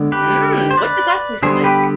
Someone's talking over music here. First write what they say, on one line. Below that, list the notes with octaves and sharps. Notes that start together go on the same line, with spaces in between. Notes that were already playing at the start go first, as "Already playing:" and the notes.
Mm! What did that taste like?
Already playing: D3 G#3 B3
G4 B4
C5
B4 D5
D3 G3 B3 G#4 C5
G4 B4